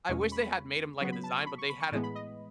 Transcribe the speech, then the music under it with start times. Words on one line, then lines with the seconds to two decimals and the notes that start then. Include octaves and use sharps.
I wish they had made 'em like a design, but they had a
0.09 E2 B2 G#3 C#4 C#6
0.20 C#6
0.32 B5
0.44 B5
1.01 C#3 F#3 B3 C#6
1.12 B5
1.24 A5
1.35 C#6
1.46 B5
1.58 C#6
1.70 B5
1.80 C#6
1.92 A2 E3 G#3 B3 A5
2.03 B5
2.15 D#5